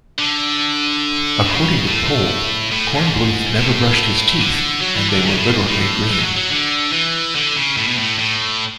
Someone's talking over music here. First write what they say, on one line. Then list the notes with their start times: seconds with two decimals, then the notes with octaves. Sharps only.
According to Pohl, Kornbluth never brushed his teeth, and they were literally green.
0.19 D3
1.45 C#3
1.87 A2
2.72 A2
2.92 G#2
3.56 A2
4.40 D3
4.81 F#3
4.96 E3
5.10 D3
5.25 C#3
5.38 A2
5.52 G#2
5.66 A2
6.08 E3
6.19 G#3
6.22 F#3
6.37 F#3
6.51 D3
6.92 E3
7.35 D3
7.56 C#3
7.77 A2
7.87 B2
7.98 A2
8.19 A2